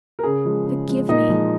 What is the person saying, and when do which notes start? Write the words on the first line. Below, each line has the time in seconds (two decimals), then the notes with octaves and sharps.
Forgive me!
0.19 A#4
0.24 C#3 G#4
0.45 F3 G#3
0.66 C#3
0.88 F3 G#3
1.08 A#2 D#4 D#5
1.30 F3 G#3